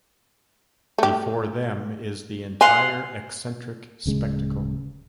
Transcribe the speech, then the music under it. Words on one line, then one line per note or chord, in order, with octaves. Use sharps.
Before them is the entire eccentric spectacle.
A3 G4
F5 F#5 G#5 C6
D1 C#3 G#3